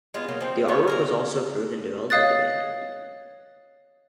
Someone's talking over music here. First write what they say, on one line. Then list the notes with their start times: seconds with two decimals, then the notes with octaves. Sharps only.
The artwork was also approved and developed with the band.
0.14 G#3 B3 F4
0.28 C#3 F#3 A#3
0.41 F3 C4
0.68 D#3 B3 B4 C#5
0.88 F#4 G#4 A#4
2.10 C#5 D#5 F5 D#6 F#6 A6